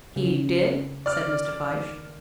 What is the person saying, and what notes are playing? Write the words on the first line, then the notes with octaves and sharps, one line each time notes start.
"He did," said Mr. Fyshe.
C#3
D5 F6
D#3